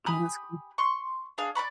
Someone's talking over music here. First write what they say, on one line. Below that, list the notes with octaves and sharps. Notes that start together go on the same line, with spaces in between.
Oh, that's cool.
G4 G#5 B5 D#6
C6 C#6
D4 G#4 F5
D5 F#5 B5 C#6